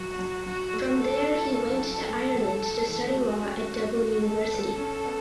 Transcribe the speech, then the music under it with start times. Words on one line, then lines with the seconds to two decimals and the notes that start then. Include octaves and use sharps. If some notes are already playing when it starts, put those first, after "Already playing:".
From there he went to Ireland to study law at Dublin University.
Already playing: F#3 F#4
0.19 F#3
0.46 F#3 F#4
0.73 A3
1.00 B3 A4
1.18 C#4
1.35 E4
1.53 C#4 A4
1.71 F#3
1.89 F#3
2.08 A3
2.34 F#3
2.89 E3
3.15 A3 F#4
3.43 C#4
4.24 A4
4.77 C#4
5.05 B3